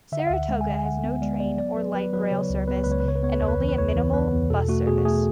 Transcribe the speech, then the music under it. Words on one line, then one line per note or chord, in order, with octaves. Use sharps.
Saratoga has no train or light rail service and only a minimal bus service.
D3 E5
F#5
D2 E5
F#5
G#3
G#5
D3
G#5
D3 F#5
B3
G#3 D5
B3 D5
F#3 D5
F#3 B4
F#3 B4
F#3 B4
C#3 C#5
C#2
B3 B4
C#5
C#2 B4
C#5
B4
C#3 C#5
B4
B3 C#5
B4
E2 C#5
B4
E3
B4
E2 C#5
E3
B3 B4
E2
B2 A4
A3 F#4
B2 G#4
F#4
A3 G#4